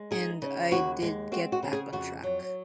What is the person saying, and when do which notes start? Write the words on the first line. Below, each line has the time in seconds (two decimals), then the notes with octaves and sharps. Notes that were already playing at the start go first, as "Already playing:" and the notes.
And I did get back on track.
Already playing: G#3
0.11 D#4 G#4
0.42 C#3
0.71 D#2 F#4
1.02 G#3
1.32 C4 F#4
1.52 F#4
1.63 C#3
1.73 G#4
1.93 F2 F#4
2.23 F#3